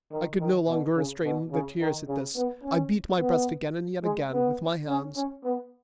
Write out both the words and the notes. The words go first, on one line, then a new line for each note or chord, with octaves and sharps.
I could no longer restrain the tears, at this; I beat my breast again and yet again, with my hands.
D#3
D#3
B2
C#3
B2
C#3
D#3
C#3
B3
C#4
B3
G#3
B3
C#4
C#4
B3